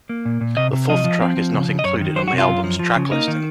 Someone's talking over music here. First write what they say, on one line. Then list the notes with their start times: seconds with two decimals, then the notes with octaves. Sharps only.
The fourth track is not included on the album's track listing.
0.09 A#3
0.25 A#2
0.41 A#2
0.57 C3 D#5
0.73 C3
0.89 F3 D#5
1.04 F3
1.21 C4
1.37 F3
1.53 C#3
1.68 C#3
1.79 D#5
1.84 F#2 C#5
2.01 D#3
2.16 F#3 C5
2.28 F#4
2.33 C3
2.38 F4
2.49 F#2
2.64 F3
2.79 F3
2.96 C#3
3.11 A#3 D#4
3.28 D#3